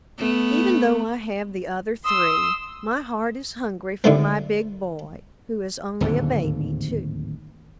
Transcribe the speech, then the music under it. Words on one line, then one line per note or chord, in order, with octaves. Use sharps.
Even though I have the other three, my heart is hungry for my "big boy," who is only a baby, too.
A3 B3
C6 D#6 E6
D3 D#3 A3 C4
D1 D#2 G#2 D3